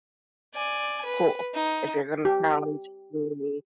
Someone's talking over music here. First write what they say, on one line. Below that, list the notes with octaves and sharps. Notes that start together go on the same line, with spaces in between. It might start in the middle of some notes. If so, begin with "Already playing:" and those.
cool. If you're gonna challenge me,
D5 G#5
B4
D#4
G4